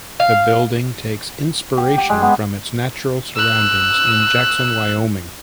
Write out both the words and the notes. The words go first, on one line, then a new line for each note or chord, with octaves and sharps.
The building takes inspiration from its natural surroundings in Jackson, Wyoming.
F5
G4
G4
G#3
B3
E6 F#6